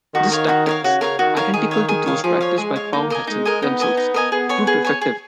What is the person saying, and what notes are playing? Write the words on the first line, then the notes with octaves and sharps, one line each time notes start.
These tactics, identical to those practiced by the Powhatan themselves, proved effective.
D#3 F#4
A#4 C#5 F5
F#4
A#4 C#5 F5
C#3 F#4
A#4 C#5 F5
D#3 F#4
A#4 C#5 F5
D#3 G#4
C#5 F5
G#4
C#5 F5
F3 G#4
C#5 F5
G#3 G#4
C#5 F5
A#3 D#4
A#4 D#5 G#5
G#3 D#4
A#4 D#5 G#5
B3 D#4
A#4 D#5 G#5
D#4
A#4 D#5 G#5
B3 G#4
C#5 G#5
G#4
C#5 G#5
G#4